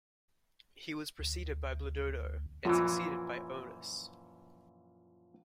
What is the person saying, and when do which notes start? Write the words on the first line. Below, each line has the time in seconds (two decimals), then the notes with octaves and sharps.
He was preceded by Bledudo and succeeded by Oenus.
1.19 D2
2.65 F#2 A#2 E3 F3